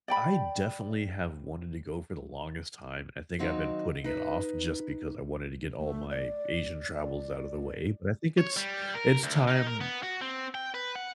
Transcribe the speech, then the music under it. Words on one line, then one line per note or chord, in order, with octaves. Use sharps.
I definitely have wanted to go for the longest time. I think I've been putting it off just because I wanted to get all my Asian travels out of the way, but I think it's it's time
D5 G5 B5
D#3 F#3 C4 D#4 F5
D#4 B4
A3
D5
D5
C#5
G3
A#4
D2
D#4
A#4
B3
F#4
C4
G5
B4
F#5